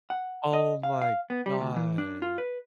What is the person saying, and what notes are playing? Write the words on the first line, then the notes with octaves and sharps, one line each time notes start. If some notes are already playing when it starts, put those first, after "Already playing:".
Oh my god!
F#5
D#5
F5
F5
B3
G3
D2
E3
D4
F4
B4